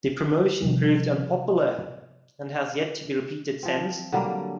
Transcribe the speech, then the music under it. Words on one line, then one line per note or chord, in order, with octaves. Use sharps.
The promotion proved unpopular, and has yet to be repeated since.
C3 F3 G3
F3 C4
D3 F#3 G3 A#3